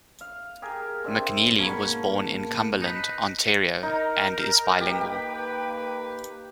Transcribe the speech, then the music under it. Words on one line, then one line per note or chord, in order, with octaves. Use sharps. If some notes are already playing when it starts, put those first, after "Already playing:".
McNeely was born in Cumberland, Ontario and is bilingual.
F5
G4 G#4 A#4
C4 D4 E5
G#2 B2 A#3 C#4 A5 B5
D#4 B4
D#4 A#4
A#3 G4 B4 G5